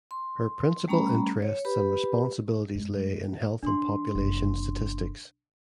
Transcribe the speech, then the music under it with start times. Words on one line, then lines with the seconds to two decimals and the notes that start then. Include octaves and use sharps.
Her principal interests and responsibilities lay in health and population statistics.
0.11 C6
0.88 G3 A3 C#4 A#5 B5
1.42 C#5
1.65 G4 B4 B5
2.75 F#2 G#3
3.63 E3 D4 C6
4.15 F#1 C3